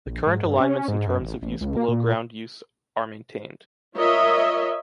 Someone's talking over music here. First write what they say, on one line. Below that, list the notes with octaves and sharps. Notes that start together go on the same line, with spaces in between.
The current alignments in terms of use below ground use are maintained.
A#1
G#2
G2
C#4
G#2
F#2
A1
A1
C#2
A#3
A#2
F4 A#4 C#5 D#5 E5